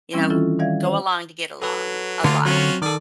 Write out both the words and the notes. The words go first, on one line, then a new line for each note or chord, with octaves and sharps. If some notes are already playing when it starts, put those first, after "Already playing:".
you know, go along to get along a lot,
E3 G3 C4 C#4 E4
D#3 E3 C#4 E4 F4 A4
D#3 G3 D5 E5 F5 G#6
C5
F#3 A4 B4
D3 F#3 A3 F4
F#3 C4 C#4 F4 F#4
D#3 A4 D5